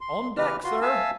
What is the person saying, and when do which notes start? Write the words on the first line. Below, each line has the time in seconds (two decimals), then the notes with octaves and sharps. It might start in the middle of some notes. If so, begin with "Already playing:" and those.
"On deck, sir."
0.01 C6
0.37 C#3 E3 G4 B4 F6
0.64 F4 F#4 C6
0.82 E5 F5 G#5 A5 E6